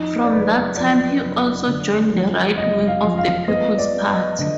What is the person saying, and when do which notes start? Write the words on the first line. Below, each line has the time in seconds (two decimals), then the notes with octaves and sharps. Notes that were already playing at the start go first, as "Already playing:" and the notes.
From that time he also joined the right wing of the People's Party.
Already playing: F2 D#4
0.24 D5
0.31 F#1 B4
0.77 F2 D5
1.22 F#1
1.67 D3
2.12 F2
2.58 F#1 D#5
2.88 F5
3.03 F2
3.18 F5
3.48 B3 D#5
3.78 D5
3.93 B3
4.09 D#5
4.39 D3 D#5